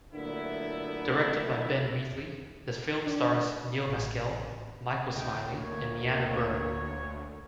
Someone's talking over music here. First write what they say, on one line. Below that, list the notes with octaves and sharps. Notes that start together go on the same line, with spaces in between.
Directed by Ben Wheatley, the film stars Neil Maskell, Michael Smiley and MyAnna Buring.
A#2 D3 F#3 A3 B3 E4
D4
A1
D2 D#5 G5
A#3 C#5